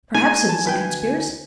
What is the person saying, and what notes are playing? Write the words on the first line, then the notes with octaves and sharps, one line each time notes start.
Perhaps it is a conspiracy.
G#3 A#3 D#4 G#5
A5
D2 B4 G5